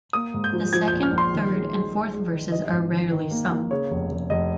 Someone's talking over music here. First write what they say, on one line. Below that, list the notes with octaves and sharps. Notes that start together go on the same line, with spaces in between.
The second, third and fourth verses are rarely sung.
A#3 D#6
G#2
G6
F3
F3 G#6
G6
A#1
F6
A#1
C6
D#3
G#3
G#3
G#3
G#3
D#3
D#3 D#5
G#1
D#3
D#3
A#3
A#3
C#3 C#5
F1
F1
F1 D#5